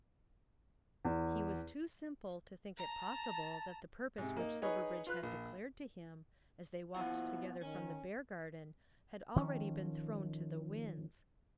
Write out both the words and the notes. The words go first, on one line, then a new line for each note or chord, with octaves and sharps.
He was too simple to think it possible that the purpose which Silverbridge had declared to him as they walked together from the Beargarden had already been thrown to the winds.
E2
A5 A#5
G#2 C3
A#3 D#4
D#4 G#4 B4 C#5 D#5
F4 B4 F#6
A#1
D#2 B2 F3 E4 F4 F#5
D#3 C#4
D#3 F3 C#4